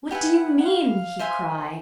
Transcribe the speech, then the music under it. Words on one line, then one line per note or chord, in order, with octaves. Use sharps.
"What do you mean?" he cried.
G4 B4 E5 F#5 G#5
F#5
F5
C5 E5 G#5 C6